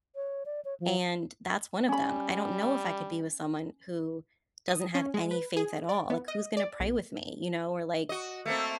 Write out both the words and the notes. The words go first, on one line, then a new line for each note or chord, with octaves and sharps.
and, that's one of them. I don't know if I could be with someone who doesn't have any faith at all, like, who's gonna pray with me, you know, or, like,
C#5
D5
C#5
F3
G3 C#4 B5
D#6
C#4
G#3
B4
G#4
D5
B3
D#5
D5
B1
F#4 D#5
A3 A#3 C4